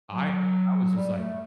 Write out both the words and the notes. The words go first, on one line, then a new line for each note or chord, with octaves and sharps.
I I was just like,
F#3
G3
A3